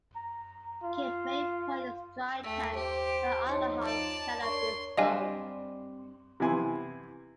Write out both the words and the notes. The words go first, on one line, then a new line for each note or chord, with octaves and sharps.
Cape May Point is a dry town where alcohol cannot be sold.
A#5
F4
D#2 A3 E6
G4 C5
F3 D#4 C#5 C6
D5 A5
D4 A#4 C#5 C6 C#6
G3 C4 D4 D#5 F5 G#5
C3 E3 B3 E4 G#5 C6